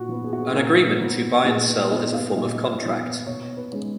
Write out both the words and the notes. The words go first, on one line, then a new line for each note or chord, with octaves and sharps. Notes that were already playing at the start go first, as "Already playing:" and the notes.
An agreement to buy and sell is a form of contract.
Already playing: A#2 F#4
F3 B3
G#4
F#4
G#4
A#2 A#4
F3 B3 A#4
A#2 G#4
B4
F3 B3 D#5
F5
A#2 D#5
C#5
F3 B3
B2 C#5
B4
G#3 C#4